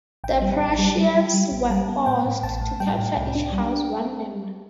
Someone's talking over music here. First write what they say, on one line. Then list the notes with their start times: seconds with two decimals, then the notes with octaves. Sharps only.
The Prussians were forced to capture each house one by one.
0.24 A1 G5
0.41 G3
0.60 A1
0.79 G3
0.97 G3
1.15 G3
1.34 G3
1.52 A1
1.70 G3 A5
1.89 B3
2.06 A2 G5
2.25 A2
2.43 A1 A5
2.61 A2
2.80 G3 G5
2.98 A2
3.17 C2
3.35 D4
3.52 G3